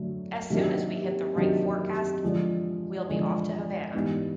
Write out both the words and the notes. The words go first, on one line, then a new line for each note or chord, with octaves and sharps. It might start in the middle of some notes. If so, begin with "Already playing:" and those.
As soon as we hit the right forecast, we'll be off to Havana.
Already playing: D3 F#3 A3
C3 D#3 F#3 A#3 D4
C3 D#3 F#3 A#3 D4
D3 F3 G#3
D3 F3 G#3
G#2 E3 G3 B3 D#4